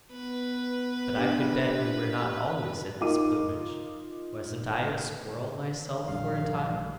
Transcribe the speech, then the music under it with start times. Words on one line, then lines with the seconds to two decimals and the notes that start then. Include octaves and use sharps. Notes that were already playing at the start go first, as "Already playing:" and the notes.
But I could bet you were not always in this plumage--wasn't I a squirrel myself for a time?'
0.12 B3 B4
1.16 D4 G4 F#5
3.01 D#4 F4 A#4 D6 D#7
6.08 A#1 G2 F5